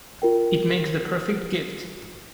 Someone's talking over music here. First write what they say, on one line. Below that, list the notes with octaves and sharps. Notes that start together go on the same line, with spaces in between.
It makes the perfect gift.
F4 A#4 G5